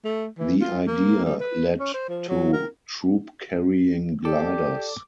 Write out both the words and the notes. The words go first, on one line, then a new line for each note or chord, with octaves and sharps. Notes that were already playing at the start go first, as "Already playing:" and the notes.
The idea led to troop-carrying gliders.
A3
E3
F4
A#3
G3
B4
C#4
C5
F3
F#3
A#4
G4 A4 D5 D6